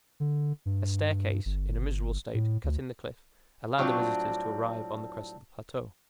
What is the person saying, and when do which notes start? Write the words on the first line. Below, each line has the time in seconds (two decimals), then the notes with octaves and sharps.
A staircase, in a miserable state, cut in the cliff, allowed the visitors to arrive on the crest of the plateau.
0.20 D3
0.66 G2
1.45 G1
2.34 A2
2.64 D2
3.78 A2 F#3 G3 C4 D4 F4